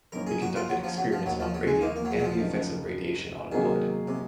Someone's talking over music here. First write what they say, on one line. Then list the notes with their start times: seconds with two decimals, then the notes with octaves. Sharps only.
He conducted experiments on radium and the effects of radiation on blood.
0.12 F#2 D#3 A#3 C#4 A#4
0.27 G#4
0.42 F#4
0.56 F4
0.69 F#3
0.84 F3
0.97 F#3
1.12 F3
1.25 D#2 D#3 F#3 A#3
1.40 F3
1.54 F#3
1.67 G#3
1.81 A#3
1.96 A#3
2.05 F#3
2.11 G#3
2.19 F#3
2.24 F3
2.39 F#1 F#2 D#3
3.52 C3 D#3 F#3 A#3 D#4 G#4
4.08 C3